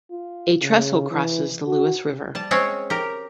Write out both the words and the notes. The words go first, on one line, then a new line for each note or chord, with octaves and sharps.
A trestle crosses the Lewis River.
F4
C#3
E3
F#4
G3 A5
G#3 C4 C#4 C#5
G4 A#4